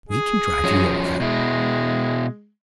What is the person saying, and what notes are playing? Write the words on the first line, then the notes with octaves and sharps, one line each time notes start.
We can drive you over.
G#4
F3 F#3 C#4
B2 G#3 E4